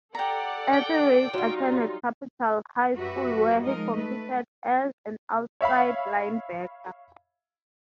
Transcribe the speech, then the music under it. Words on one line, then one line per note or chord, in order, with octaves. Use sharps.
Etheridge attended Capital High School where he competed as an outside linebacker.
G4 A4 D5 F#5 A#5
G5
F#3 G3 D#4 F4
F#2 F#4 G4 B4 E5
F3 G#3 D#4 A#4 D#5
G#3 A3 B4
C#5 E5 F5 B5